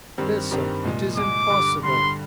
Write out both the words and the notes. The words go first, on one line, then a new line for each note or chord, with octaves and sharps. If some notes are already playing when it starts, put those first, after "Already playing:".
Listen--it is impossible!
G2 D#3 G3 C4
G2 D#3 G3 C4
C2 A#2 G#3
C2 A#2 G#3 D6
G2 D3 G3
G2 D3 G3 C6